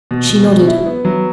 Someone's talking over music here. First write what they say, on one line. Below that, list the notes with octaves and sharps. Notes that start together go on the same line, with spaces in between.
She nodded.
B2
B2
B2
E4
B3
F#3